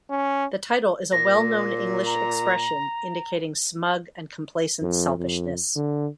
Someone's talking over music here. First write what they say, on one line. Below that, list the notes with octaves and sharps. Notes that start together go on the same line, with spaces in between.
The title is a well-known English expression indicating smug and complacent selfishness.
C#4
A#2 A#6
A#5
F2
F2
D3